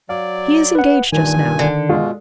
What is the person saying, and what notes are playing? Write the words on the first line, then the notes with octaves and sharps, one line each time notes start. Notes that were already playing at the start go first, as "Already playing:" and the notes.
He is engaged just now.
F#3 D5 F5
B4 F#5
G2 A#2 D#3 G#5
D3
B2 G#3 F4 F#4